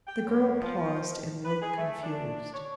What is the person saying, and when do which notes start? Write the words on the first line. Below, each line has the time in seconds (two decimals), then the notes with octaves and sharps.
The girl paused, and looked confused.
0.07 G5
0.26 F#2
0.60 F3
1.45 B4
1.61 G#4
1.77 A3
2.02 D4
2.52 C#5